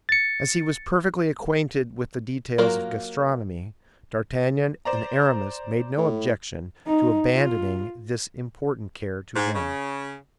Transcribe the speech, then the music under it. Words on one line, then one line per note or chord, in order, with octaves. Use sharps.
As he was perfectly acquainted with the details of gastronomy, d'Artagnan and Aramis made no objection to abandoning this important care to him.
A6 C#7
F#3 A#3 F4 A#4
C5 D5 A#5
A2
D#4
F4
G#2
C#3